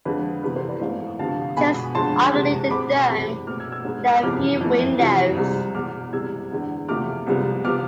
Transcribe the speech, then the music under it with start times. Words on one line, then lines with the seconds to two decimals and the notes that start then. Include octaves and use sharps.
Just underneath the dome there are a few windows.
0.05 F2 D3 F3 G#3 B4
0.43 E2 C3 E3 B3 B4
0.56 A4 C5
0.68 B4 D5
0.81 G#2 E3 A3 C4 D5 F5
1.19 D2 C3 F3 B3 F5 A5
1.57 B2 G#3 B3 G#5 B5
1.95 F2 D3 G#3 A5 C6
2.33 E2 C3 G#3
2.71 B2 G#3 C4 B5 D6
3.09 E2 C3 G#3
3.47 B2 A3 C4 D6 F6
3.60 E6 G#6
3.72 E6 G#6
3.85 G#2 G#3 B3
4.23 F2 C3 E3 G#3 B3 D6 F6
4.61 F2 E3 A3
4.99 F2 C3 E3
5.37 C2 C3 G#3
5.75 E2 B2 B3 D6 F6
6.13 C2 C3 E3 G#3 E6 G#6
6.51 E2 D3 G#3 B3
6.88 E2 C3 F3 A3 D6 F6
7.27 C2 C3 F3 G#3 B3
7.65 C3 F3 B3 D6 F6